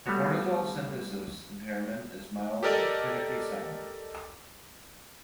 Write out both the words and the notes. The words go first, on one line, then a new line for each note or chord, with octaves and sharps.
Cortisol synthesis impairment is mild but clinically silent.
G3 A3 B3 F#4 C#5
G4 A4 A#4 D5 D#5